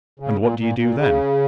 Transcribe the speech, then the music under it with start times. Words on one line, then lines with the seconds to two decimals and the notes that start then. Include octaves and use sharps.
"And what do you do then?"
0.20 C#3
0.40 A#2
0.59 A#2
0.78 A#2
0.98 C#3